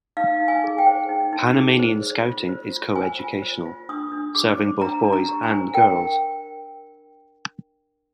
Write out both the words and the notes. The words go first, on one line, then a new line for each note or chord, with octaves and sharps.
Panamanian Scouting is coeducational, serving both boys and girls.
D#4 F5
D#4
G#5
G#4
G5
C5
D#4
D#4
G#4
C5
C5
F4
C5
F4
C5 G#5
F4
C5
F4
D4 D#6
D4
G4 D6
C5
D4 A#5
D4
A#5
G4
G#5
C5
A#4 G5